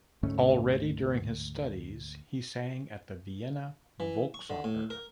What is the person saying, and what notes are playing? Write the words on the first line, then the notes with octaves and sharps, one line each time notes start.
Already during his studies he sang at the Vienna Volksoper.
D2 G#2 A3 C#4
E3
C#6
D3
A2
A#4